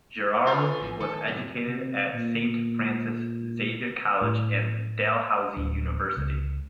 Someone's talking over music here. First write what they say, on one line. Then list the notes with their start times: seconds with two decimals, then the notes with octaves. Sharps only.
Girroir was educated at Saint Francis Xavier College and Dalhousie University.
0.47 F4 B4 C#5 G#5
0.81 A1 E2 F3
1.00 D#3 A4
1.28 F#2 A2 C3
1.66 C3
2.12 A#2
4.21 A2
5.56 D1
6.17 C#2